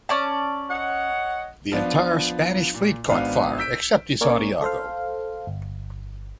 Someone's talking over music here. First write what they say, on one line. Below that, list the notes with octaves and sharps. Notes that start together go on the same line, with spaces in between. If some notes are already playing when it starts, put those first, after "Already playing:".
The entire Spanish fleet caught fire, except the "Santiago".
C#4 D5 A5
C#5 D#5 F#5
F3 B3 D4 F4
A#2
G#1 B3 D4 F5
E6 G6 B6 D7
A#3 C#4 A#4 C#5 D5
A4 C5 F5
G1